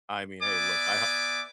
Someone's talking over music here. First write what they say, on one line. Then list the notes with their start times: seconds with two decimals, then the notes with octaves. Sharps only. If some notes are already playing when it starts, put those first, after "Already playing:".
I mean, hey look, I ho
0.43 B3 D5 E5 G#5 D6